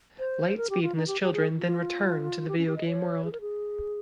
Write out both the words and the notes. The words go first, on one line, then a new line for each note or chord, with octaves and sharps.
Lightspeed and his children then return to the video game world.
C5
A#4
G4
F4
D#4
G4
G4
G#4
F4
G4
C#4
G4
D#5
C#5
G#4
A#4
G#4